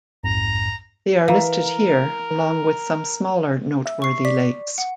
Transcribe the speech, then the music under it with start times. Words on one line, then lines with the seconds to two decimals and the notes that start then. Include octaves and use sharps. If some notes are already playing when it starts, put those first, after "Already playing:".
They are listed here along with some smaller noteworthy lakes.
0.24 A#1 F2 G#2 A#5
1.28 E3 A#4 F5 A#5
3.86 E5
4.02 C#6 C7
4.25 D5 B6
4.78 F#5